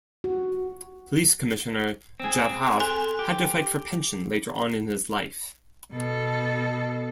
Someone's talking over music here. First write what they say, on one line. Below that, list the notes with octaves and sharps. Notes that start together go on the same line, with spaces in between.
Police Commissioner, Jadhav had to fight for pension later on in his life.
F#4
C4 G#4
A4 G#5 C6
G4
B2 A4